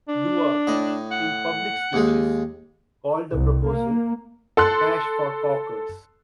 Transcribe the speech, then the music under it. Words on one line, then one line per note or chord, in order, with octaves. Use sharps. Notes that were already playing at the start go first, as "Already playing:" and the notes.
Doerr, in public speeches, called the proposal "cash for caulkers".
D4
A2 D#5
F#5
D#2 G#3
C2
A#3
A4 C6 F#6